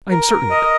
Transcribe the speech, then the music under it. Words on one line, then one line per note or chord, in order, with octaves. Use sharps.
"I am certain of it."
A#4
D#5